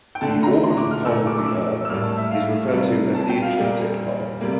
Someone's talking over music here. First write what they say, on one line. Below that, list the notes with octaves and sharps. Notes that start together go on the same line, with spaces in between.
The orbital pole of the earth is referred to as the Ecliptic pole.
G5
D3 A3 A5
A#5
C6
D6
F6
A#2 A3 E6
D6
D6
E6
E6
A2 G3 A#3 F6
A5
E5
F5
C3 G3 A#3
A5
G5
F5
A#2 G3 A#3 F5
C3 G3 A#3